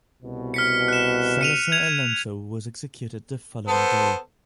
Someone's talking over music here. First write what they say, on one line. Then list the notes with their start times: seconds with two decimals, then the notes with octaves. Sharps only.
Salazar Alonso was executed the following day.
0.23 C2 B2
0.54 F6 B6 C#7
0.88 F#6 E7
1.41 C#7 D#7 F7
1.72 G#6 F7
3.68 B3 A4 C5